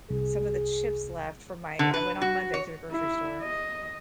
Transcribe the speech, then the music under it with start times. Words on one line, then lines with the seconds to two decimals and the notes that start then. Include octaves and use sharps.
some of the chips left from my" I went on Monday to the grocery store,
0.10 C2 G#4
1.79 D3
1.94 B4
2.22 F#4
2.54 C#5
2.91 E4
3.42 D#5